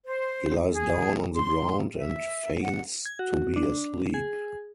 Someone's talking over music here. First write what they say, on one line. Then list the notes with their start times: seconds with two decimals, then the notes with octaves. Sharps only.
He lies down on the ground and feigns to be asleep.
0.04 C5
0.73 G#4
1.35 C6
1.97 E5
2.62 F#5
3.06 G#6
3.19 F#4
3.56 D4
4.14 G#4